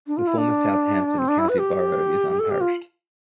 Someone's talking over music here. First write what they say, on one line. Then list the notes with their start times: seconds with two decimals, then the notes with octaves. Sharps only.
The former Southampton County Borough is unparished.
0.07 D4
0.17 F4
0.27 E4
0.38 D4
1.18 C4
1.28 D4
1.39 E4
1.49 B4
1.59 G4
2.40 A4
2.51 G4
2.61 F4